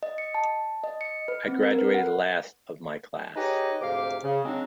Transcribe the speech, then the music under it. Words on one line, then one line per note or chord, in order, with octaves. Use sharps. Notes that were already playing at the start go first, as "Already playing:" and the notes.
I graduated last of my class.
D#5
C#7
A5
D#5
C#7
B4
C4
A#4
B4
F#5
D#4 G4 G#4 B4 C#5 D#5
D2 G#2 C3 G4 F5 D6
C#3
C#3 F#3 G#3 C4 D4 D#4